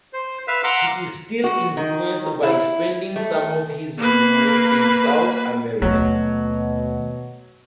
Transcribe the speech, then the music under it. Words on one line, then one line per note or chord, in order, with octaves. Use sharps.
He is still influenced by spending some of his youth in South America.
C5
B4 E5 F5
F5 F#5 A#5 C6 D6 E6
F#4
D#3
E4
A3
A#3 B4
D#2 B2 F#3 A3